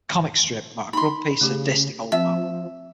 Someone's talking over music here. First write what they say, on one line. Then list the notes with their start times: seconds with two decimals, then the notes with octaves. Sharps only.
Comic strip about a grumpy, sadistic old man.
0.93 D#4 B5 C6
1.41 C#3 A3 G4 G#4
2.12 F3 C4 E5